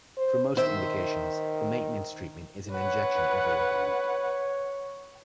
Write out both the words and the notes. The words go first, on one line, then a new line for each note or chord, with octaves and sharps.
For most indications, the maintenance treatment is an injection every other week.
C5
D#3 C5 E5
B4 C#5 F#5